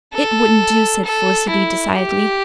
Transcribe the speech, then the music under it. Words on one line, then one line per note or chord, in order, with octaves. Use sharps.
"It wouldn't do," said Felicity decidedly.
A4
A4
E4
G4